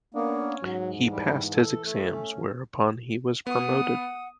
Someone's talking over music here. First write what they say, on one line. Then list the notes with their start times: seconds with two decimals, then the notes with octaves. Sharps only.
He passed his exams, whereupon he was promoted.
0.14 A#3 B3 C#4 D4
0.62 G#2 F#3
1.07 E3 G3
1.53 A4
1.85 A3
2.13 C#4
3.47 B3 F#5 D#6